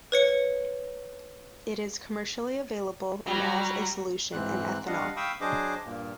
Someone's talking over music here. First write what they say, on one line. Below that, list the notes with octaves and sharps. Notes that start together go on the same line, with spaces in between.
It is commercially available and as a solution in ethanol.
B4 C#5 C#7
F#3 G3 A#5 B5
G#2 E3 C4 F#6
G3 D4 D#5 F5 F#5
F5 G5 B5 C#6 D#6 E6
F#3 D4 G#4 C5 D#5 D6
G2 A#2 A#3